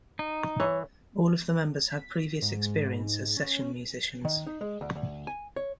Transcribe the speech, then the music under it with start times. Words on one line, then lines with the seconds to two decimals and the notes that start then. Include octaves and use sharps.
All of the members had previous experience as session musicians.
0.19 D#4
0.60 E3 C#5
1.91 B6
2.42 G#2
3.37 C#4
4.25 D#3
4.47 D#4
4.61 G#3
4.81 D2
4.95 D2
5.27 G#5
5.56 C#5